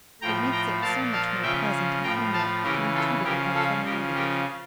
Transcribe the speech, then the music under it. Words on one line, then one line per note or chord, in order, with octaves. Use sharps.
It makes it so much more pleasant and homelike to be treated without formality.
A2 F3 G5 A#5
G5 A#5
A#2 F3 F5 A5
F5 A5
C#3 F3 E5 G5
A2 F3 G5 A#5
F5 A5
C#3 E3 G4 A#4
F4 A4
C#3 F3 G4 A#4
F4 A4
C#3 F3 G4 A#4
G4 A#4